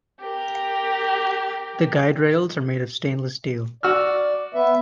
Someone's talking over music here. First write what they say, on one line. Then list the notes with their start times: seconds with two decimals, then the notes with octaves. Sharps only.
The guide rails are made of stainless steel.
0.21 G4 A#4
3.83 F#4 D5 E6 F6
4.54 B3 B4 E5